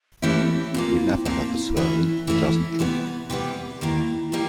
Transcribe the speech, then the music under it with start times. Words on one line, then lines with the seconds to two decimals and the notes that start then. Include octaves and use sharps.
We never have a servant who doesn't drink.
0.22 E3 A3 A#3 C#4 E4 G4
0.40 C4
0.57 C4
0.74 A#2 F3 A#3 F4
0.92 E4
1.08 C4
1.25 A#2 F3 A#3
1.51 E4
1.77 E3 A3 C#4
2.27 E3 A3 C#4
2.79 C3 E3 G3 B3
3.30 C3 E3 G3 B3
3.81 D#2 D#3 G3 A#3 E4
4.32 D#3 G3 A#3 E4